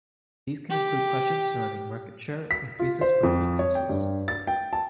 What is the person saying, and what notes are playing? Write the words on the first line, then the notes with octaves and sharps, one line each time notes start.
These can include questions surrounding market share increases or decreases.
G4
B6
F4
C5
F2
C#5
G5
G2
A6
G5
A5